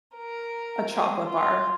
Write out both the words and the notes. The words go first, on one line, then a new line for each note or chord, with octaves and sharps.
a chocolate bar.
A#4
G#3
F4